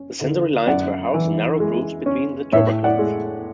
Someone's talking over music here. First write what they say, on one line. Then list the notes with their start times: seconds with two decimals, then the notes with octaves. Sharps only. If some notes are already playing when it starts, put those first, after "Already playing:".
The sensory-lines were housed in narrow grooves between the tubercles.
Already playing: C#4
0.21 D3
0.67 F#2 D5 F#5
1.14 E3
1.60 G#3
2.06 C#4
2.52 A2 C#5 E5
2.84 D5 F#5
2.99 G#3